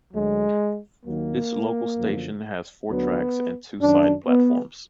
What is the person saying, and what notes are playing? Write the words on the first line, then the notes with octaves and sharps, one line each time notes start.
This local station has four tracks and two side platforms.
D2 D3 F#3 G#3
D#2 D#3 F#3 A#3
F#2 D3 F3
D2 D3 F#3 B3
F#2 D#3 F#3 D4
B3